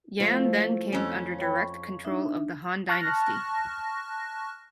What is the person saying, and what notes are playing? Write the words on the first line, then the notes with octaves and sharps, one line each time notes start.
Yan then came under direct control of the Han dynasty.
F3 A3 C4 E4
F2 C#4
C#5 G5 B5
C#6
D4 D#4 E5
A5 C#6 F6 F#6 A#6